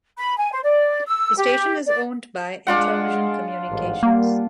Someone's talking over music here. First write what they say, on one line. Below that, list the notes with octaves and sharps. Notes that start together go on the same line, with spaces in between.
The station is owned by Entravision Communications.
B5
G#5
C5
D5
E6
G4
D5
G#3 D4 F4 G#4 F#5
A1 G#2
G3 A#3